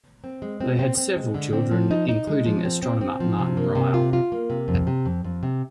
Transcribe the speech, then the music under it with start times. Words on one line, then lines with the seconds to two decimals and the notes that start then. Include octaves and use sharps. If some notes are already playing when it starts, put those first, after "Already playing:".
They had several children, including astronomer Martin Ryle.
0.24 C4
0.42 G#3
0.61 C4
0.79 C4
0.97 C4
1.16 G#3
1.34 D3
1.53 C4
1.71 F3
1.91 D#4
2.09 D#4
2.27 G#3
2.46 F3
2.65 C4
2.83 C4
3.01 C4
3.20 F3
3.39 C3
3.57 A#3
3.75 C3
3.94 F4
4.13 F4
4.32 A#3
4.50 C3
4.68 F2
4.87 C3
5.06 F2
5.24 F2
5.43 C3